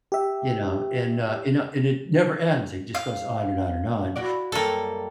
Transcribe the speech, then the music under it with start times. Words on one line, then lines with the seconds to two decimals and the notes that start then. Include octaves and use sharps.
You know, and, uh, you know, and it never ends, it just goes on, and on, and on,
0.12 G4 E5
2.95 F5
4.16 E4 F#4 D5
4.52 F#2 G3 A#3 A4